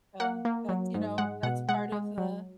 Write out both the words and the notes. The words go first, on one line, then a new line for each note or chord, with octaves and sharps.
and that's you know, that's part of the
A#3 F#5
A#3
F#3
G#2
G#3 F#5
B2 F#5
G#3 F#5
G#3
F#3